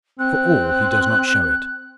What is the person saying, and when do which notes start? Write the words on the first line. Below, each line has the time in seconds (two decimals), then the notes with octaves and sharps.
For all he does not show it.
0.19 C4 F#6